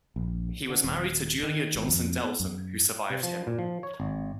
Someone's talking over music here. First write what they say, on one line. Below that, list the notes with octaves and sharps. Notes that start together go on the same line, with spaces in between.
He was married to Julia Johnson Dalton, who survived him.
A#1
D3
D#1
D#3
G#1
F2
B3
F#2
C3
F3
A#2
F3
C#5
G#1